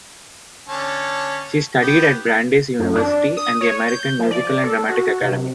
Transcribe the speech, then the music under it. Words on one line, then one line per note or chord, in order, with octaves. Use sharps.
She studied at Brandeis University and the American Musical and Dramatic Academy.
D3 C#4 A5
B3 G4
F#2
D4
D#6
C#5
G6
F3
D5
A4
F#4
C3